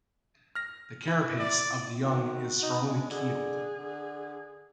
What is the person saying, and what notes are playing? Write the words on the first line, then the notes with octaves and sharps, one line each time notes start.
The carapace of the young is strongly keeled.
F6 A#6
E4
D5
D#3 F#4
D#4
G#3 D4
D3 G#4
D3